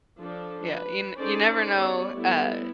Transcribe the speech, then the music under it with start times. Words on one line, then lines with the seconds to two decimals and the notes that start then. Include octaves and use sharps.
Yeah, you n you never know, uh,
0.18 F3 D4 A4
0.72 B4
1.17 C#4 D#4 G#4 A4 C5 D5
1.74 B3 G4 C#5 D5
2.13 G3 A3 B3 E4